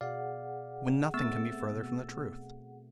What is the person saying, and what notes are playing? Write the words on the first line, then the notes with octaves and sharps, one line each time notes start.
When nothing can be further from the truth.
B2 G#4 D5 F5 F#5
A3 B3 C4 E6 A6
B2